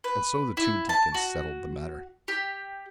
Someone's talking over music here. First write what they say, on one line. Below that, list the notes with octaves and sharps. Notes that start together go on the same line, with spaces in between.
And so the two deacons settled the matter.
B4
E4
A5
F#4
G4